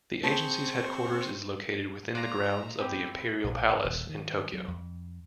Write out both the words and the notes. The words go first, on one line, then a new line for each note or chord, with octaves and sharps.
The agency's headquarters is located within the grounds of the Imperial Palace in Tokyo.
C4 G#4 C5 A5 C#6
F4 D5 E5 A#5 F#6 A#6
C4 E4 G4
A#1
D#1
D#3
F#3
F2